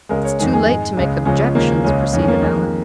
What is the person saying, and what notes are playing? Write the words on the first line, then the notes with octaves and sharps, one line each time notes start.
"It's too late to make objections," proceeded Allan.
C#2 C#3 G#3 A#4
C#5
F2 D#3 G#3 G#4
G#4
G#2 G#3
C#2 C#3 G#3
C#2 C#3 F3 G#3 C#4
D#2 C#3 F3 G#3 A#3
C#2 C#3 G#3 C#4
F2 D#3 G#3 C#4
C#4
A#3
F2 D#3 G#3